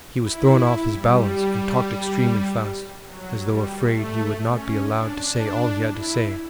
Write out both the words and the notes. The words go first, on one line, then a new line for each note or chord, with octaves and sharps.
He was thrown off his balance and talked extremely fast, as though afraid he would not be allowed to say all he had to say.
E4
G3
F#3
G3
A3
C#4
D4
D4
E4